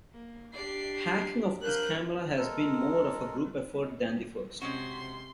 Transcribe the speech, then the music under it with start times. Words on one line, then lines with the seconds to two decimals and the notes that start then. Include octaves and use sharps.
Hacking of this camera has been more of a group effort than the first.
0.12 A#3
0.53 D4 G4 D5 C7
1.62 F3 D4 F4 A#4 F#6 G6
2.37 G#3 A4 A#4
4.62 C3 G#3 C4 C#4 F#4 C6